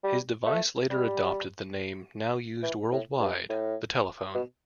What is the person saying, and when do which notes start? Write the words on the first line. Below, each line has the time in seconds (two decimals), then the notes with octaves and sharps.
His device later adopted the name now used worldwide, the telephone.
0.04 G3
0.46 A3
0.90 G3
2.63 E3
2.92 A2
3.20 G2
3.49 A2
4.35 B2